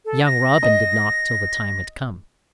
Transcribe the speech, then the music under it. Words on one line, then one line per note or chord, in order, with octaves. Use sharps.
Young Robin did not till the time had come.
A4
A#6
D#5